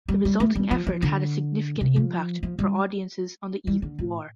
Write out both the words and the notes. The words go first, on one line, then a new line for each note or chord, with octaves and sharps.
The resulting effort had a significant impact for audiences on the eve of war.
G3
G3
A3
G3
F3
F3
D3
C3
F3
F3
G3
G3
D3
A2